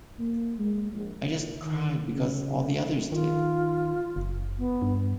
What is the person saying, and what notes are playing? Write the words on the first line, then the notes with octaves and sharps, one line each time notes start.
I just cried because all the others did.
A#3
G#3
A#1
A#2
D#3
C#3
D#3 F4
F#1
B3
G2